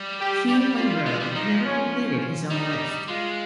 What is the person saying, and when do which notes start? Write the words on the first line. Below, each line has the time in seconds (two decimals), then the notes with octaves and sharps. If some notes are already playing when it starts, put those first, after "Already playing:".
Hugh Munro never completed his own list.
Already playing: G3
0.19 G4
0.48 G3 G4
0.77 F4
1.06 G#3
1.20 G3
1.34 F3 D#4
1.64 C#4
1.92 C#4
2.50 G3 D#4
3.08 G#3 F4